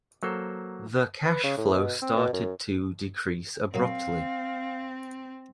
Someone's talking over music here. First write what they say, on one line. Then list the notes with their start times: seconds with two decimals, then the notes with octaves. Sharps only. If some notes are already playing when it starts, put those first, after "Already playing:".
The cash flow started to decrease abruptly.
0.23 F#3 A#3 A4 C5
1.25 B4
1.44 C#3
1.58 A2
1.74 B2
2.02 C4
2.17 B2
2.33 F#2
3.74 A#2 F#3 A#3 C4 F5